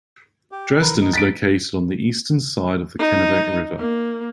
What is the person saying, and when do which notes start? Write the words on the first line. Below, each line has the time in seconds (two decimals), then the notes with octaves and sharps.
Dresden is located on the eastern side of the Kennebec River.
0.52 G4
0.81 A#4 B4
1.00 D#4
1.13 A6 B6 D7
2.99 D#4
3.79 A#3